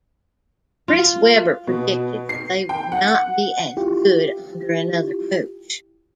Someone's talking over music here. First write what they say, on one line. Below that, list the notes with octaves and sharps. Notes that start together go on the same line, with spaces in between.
Chris Webber predicted that they would not be as good under another coach.
F4
B2
C7
G5
F#5
E4 F4 G4